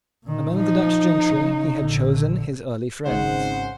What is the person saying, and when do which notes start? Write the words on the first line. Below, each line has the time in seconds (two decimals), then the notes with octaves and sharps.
Among the Dutch gentry he had chosen his early friends.
0.23 A#2 D#3
0.56 F3 D#4
1.34 C#3
1.74 A#1 D3
3.06 G#1 G#2 C#3 C5 F#5